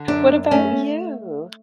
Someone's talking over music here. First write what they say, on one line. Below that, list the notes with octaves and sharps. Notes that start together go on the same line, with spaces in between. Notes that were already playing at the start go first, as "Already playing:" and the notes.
What about you?
Already playing: D3
F#2 D4
A3 C#4